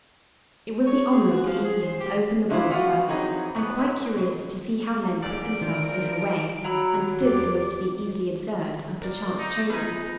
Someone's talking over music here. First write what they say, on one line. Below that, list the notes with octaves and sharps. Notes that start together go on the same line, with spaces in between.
It was the honor of the evening to open the ball with her, and quite curious to see how men put themselves in her way and stood so as to be easily observed and perchance chosen.
C#5
G#4
F#4
F3
G#4
C5
G4
D3 G#3 D4 E4 F4 C5
B3 F4 F#4
E3 F#3 C4 D#4 G#4
B2 B3
G#2
B2
G#2 A#4 D5 D7
D#3 F3
F#3 A#5 B5 E6
E2 G4 D5 D6
A#4 D5
D#4
B3 D#4 F4 B4 D#5 G#5